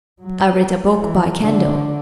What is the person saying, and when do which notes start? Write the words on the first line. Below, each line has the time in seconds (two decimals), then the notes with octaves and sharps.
I read a book by candle.
0.21 F#3
1.00 E3
1.40 D3